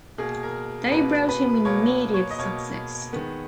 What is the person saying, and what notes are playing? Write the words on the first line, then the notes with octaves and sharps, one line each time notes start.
They brought him immediate success.
B2 A#3 G#4
A#4
B2 A#3 B4
B4
B2 A#3 C#5
C#5
D#5
B2 A#3 C#5
D#3 G#3 B3